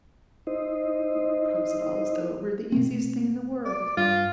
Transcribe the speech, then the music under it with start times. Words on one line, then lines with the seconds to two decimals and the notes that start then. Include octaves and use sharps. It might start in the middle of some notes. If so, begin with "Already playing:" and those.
"You propose it all as though it were the easiest thing in the world."
0.47 D#4 E4 C5 D#5
2.72 B2 A3 C4
3.66 D5
3.97 G2 F4